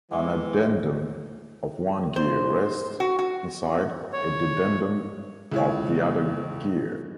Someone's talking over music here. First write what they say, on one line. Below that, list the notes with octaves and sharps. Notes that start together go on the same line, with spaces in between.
An addendum of one gear rests inside a dedendum of the other gear.
E3 G#3
C5
F#4
F#4
C#5
C#2 E4 C#5